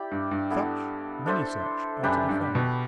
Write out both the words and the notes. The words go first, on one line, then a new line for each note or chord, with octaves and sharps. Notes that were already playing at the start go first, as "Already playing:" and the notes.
Such, many such, are to be found.
Already playing: E4 G4 D5
G2
G2
B3 E4 A4
D4 A4 C5 E5
F#2 D4 G4 B4
G2
B2